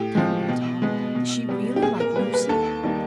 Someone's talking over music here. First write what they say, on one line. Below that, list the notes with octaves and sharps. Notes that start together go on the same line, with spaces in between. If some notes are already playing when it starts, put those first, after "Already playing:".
"Tell me, Tom, is she really like Lucy?"
Already playing: A2 G4
F3 G#3
B2
G#3 B3
B2
G3 B3
G4
A#2 G#4
A#4
G3 A#3 B4
B4
D#2 A4
D#3 G3 A#3